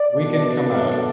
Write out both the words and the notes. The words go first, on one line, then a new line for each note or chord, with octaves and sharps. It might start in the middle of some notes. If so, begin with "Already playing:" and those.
We can come out.
Already playing: D5
B2 A3 D4